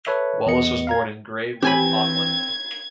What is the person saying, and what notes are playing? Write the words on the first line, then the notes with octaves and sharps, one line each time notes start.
Wallace was born in Grey Lynn, Auckland.
A4 B4 C#5 E5
E2 B3 D#5 C#7
F5 A#5 G#6
E3 C4 G4 G#5 B5 G#6